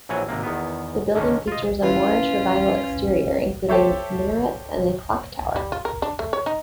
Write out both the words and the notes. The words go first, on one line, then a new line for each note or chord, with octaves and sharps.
The building features a Moorish Revival exterior, including minarets and a clock tower.
A#1 E3 F#3 C#5 G#5
G#1 C3 A#3
E2 D#3 B3
D3 D#3 G#3 C#4
F4 D#5
E3 C#4 F4 B4
G4 A4 C5 C#5 E5
G3
F4
A#4
D4
A3
C#5
D#4